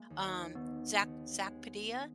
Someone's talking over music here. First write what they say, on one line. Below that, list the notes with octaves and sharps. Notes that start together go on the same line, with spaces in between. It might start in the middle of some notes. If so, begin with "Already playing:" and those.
um, Zack Zack Padilla
Already playing: G#3 A#3
D#2
D#3 B3
D#2
G#3